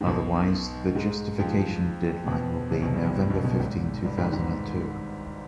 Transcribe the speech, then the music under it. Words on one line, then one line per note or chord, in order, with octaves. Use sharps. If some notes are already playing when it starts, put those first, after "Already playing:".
Otherwise, the justification deadline will be November fifteen, two thousand and two.
G#2
B1 B2
G#2 G#3
F2 F3
B2 B3
C2 C3
B1 B2
G2
F2
G2
B1 B2
B1 B2
G#1 G#2
G2
G#1 G#2
G#1 G#2